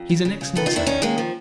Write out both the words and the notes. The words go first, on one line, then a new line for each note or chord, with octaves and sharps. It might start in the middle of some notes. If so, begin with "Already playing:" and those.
He's an excellent servant.
Already playing: F2
C#3
C#3
C#3
D#3 A4 B4
D#4 F4
D#3 D4 E4
F#2 C#4 D#4
D#3 G#3 A#3
F3